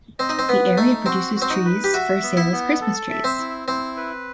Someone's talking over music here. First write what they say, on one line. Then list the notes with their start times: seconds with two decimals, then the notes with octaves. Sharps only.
The area produces trees for sale as christmas trees.
0.19 C4 D#5
0.29 D#4
0.39 C4
0.48 B3 B4
0.77 A3 D#4
1.06 C4 F#4
1.36 F#4
1.42 C4
1.50 D#4
1.65 B4
1.84 G4
1.93 F#4 E5
2.23 B3
2.37 E4
2.52 B3
2.81 A4
3.10 E5
3.24 C4
3.39 E4
3.68 C4 E4
3.97 B4